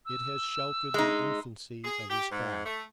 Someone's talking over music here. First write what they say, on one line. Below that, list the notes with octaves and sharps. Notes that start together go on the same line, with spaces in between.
It has sheltered the infancy of his craft.
E6
G#3 D#4
G#4
G4
G#2
A3